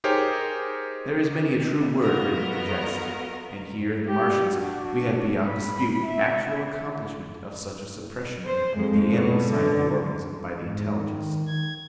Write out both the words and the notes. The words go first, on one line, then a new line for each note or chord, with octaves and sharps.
There is many a true word written in jest, and here in the Martians we have beyond dispute the actual accomplishment of such a suppression of the animal side of the organism by the intelligence.
D#4 G4 G#4 A#4 C5 C#5
B3 F4 F#4 A4 A#4 D#5
G4
D4 F#4
B5
E5
C5
F2 G#3
B2
D3
G#2
D#3
G#6